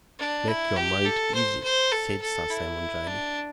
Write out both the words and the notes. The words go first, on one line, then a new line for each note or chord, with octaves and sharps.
"Make your mind easy," said Sir Simon, dryly.
D4
E4
G4
A4
C5
C5
A4
A4
E4
D4